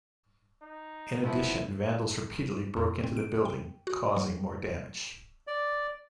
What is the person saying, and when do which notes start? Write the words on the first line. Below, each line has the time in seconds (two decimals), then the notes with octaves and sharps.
In addition, vandals repeatedly broke into the building, causing more damage.
0.62 D#4
1.24 F3 B3 C4 E4 F4
2.77 F2
3.04 C4
3.17 D7
3.45 G5
3.87 F#4
4.17 F#3
5.47 D5